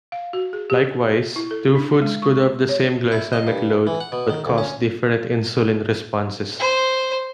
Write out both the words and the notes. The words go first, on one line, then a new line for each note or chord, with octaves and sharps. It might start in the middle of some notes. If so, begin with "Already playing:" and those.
Likewise, two foods could have the same glycemic load, but cause different insulin responses.
F5
F#4
G#4
G4
E4
A4
D4
G#3
C#6
C#5
E4
D#5
G2
E3
F#5
B2
D#3
D2
C#4
C5